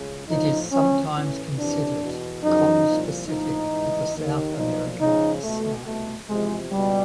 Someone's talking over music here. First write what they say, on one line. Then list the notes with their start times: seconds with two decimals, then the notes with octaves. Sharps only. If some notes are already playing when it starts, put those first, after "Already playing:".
It is sometimes considered conspecific with the South American snipe.
Already playing: C#2 C#3
0.28 A#1 A2 F3 D#4
0.70 D2 D3 F3 C#4
1.14 A1 A2 E3 C#4
1.56 F2 C3 E3 D4
2.00 E2 B2
2.42 F#2 C#3 F3 D#4
2.85 C2 A#2 F3
3.28 A#1 A2 F3 D#4
3.71 A1 G#2 E3
4.14 D#2 D#3
4.57 B1 A#2 F3 D#4
4.99 C#2 C#3 F3 D#4
5.42 C#2 B2 A3
5.85 C2 B2 A3
6.28 E2 C3 F3 G#3
6.71 C#2 B2 G3